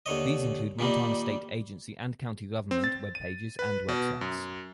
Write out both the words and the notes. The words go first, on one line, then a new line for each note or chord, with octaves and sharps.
These include Montana state agency and county government web pages and websites.
D#2 D3 C#5 D#5
A#2 D#3 G3 A#3
C4
A6
D#7
B4
B2
F#2